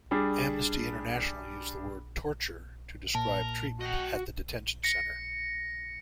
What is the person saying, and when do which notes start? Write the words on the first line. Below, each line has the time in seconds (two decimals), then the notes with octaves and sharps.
Amnesty International used the word "torture" to describe treatment at the detention center.
0.11 G3 D4 G#4
3.15 A#2 A#4 A5
3.81 F#4 D#5 G5
4.84 A#6 C#7